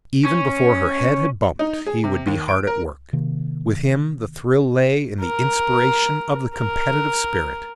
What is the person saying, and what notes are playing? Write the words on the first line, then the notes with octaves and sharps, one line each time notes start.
Even before her head had bumped, he would be hard at work. With him the thrill lay in the inspiration of the competitive spirit.
C#4
D#4
G#4
C3
D#2
D7
A#4
C3 D#3 A#3
A#4
A#4